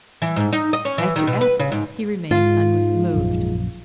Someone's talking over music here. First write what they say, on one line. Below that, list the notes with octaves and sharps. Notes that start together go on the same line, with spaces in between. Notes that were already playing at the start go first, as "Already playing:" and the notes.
As to Athos, he remained unmoved.
E3
G#2
D#4
D#5
C#4
E3
D#3
B2
B4
C#3
G#2
G#2 F4
A#1 F#2